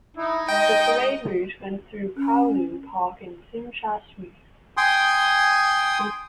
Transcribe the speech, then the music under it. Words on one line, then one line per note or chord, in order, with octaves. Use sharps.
The parade route went through Kowloon Park in Tsim Sha Tsui.
D#4 E4
G#3 D#5 G5
C#4
G5 G#5 C6 D#6